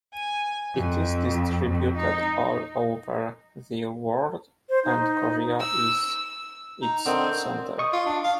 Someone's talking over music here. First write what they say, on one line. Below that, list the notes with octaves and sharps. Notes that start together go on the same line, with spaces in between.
It is distributed all over the world and Korea is its center.
G#5
F2
F2
D#4
C5
D#4
E6
D#4
D3 D#3 C4
D#5 C#6 D#6
F4
D4
F5